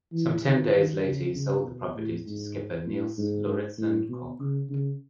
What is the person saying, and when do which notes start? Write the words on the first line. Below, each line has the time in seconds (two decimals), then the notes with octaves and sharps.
Some ten days later he sold the property to skipper Niels Lauritzen Kock.
0.12 E3
0.43 D#3
0.74 D#3
1.04 C#3
1.34 C#3
1.64 B2
1.95 A2
2.26 G#2
2.86 A2
3.18 G#2
3.78 A2
4.09 B2
4.39 C#3
4.69 C#3